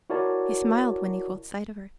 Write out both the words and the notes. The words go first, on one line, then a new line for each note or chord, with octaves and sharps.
He smiled when he caught sight of her.
E4 F#4 A#4 C#5 D5 A5